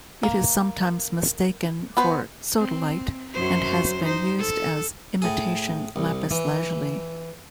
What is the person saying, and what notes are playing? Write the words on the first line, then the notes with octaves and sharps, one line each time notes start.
It is sometimes mistaken for sodalite and has been used as imitation lapis lazuli.
A#3
B3 B4 C5
C4
F#2 F#3 C5
D#4 C5
A4
A2 G#4
C2
E3